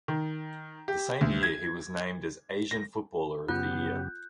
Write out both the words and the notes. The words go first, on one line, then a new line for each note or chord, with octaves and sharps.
The same year he was named as Asian Footballer of the Year.
D#3
G4
D2
G#6
A#6
F#2 C#3 B3 F4 G4 F#6 G6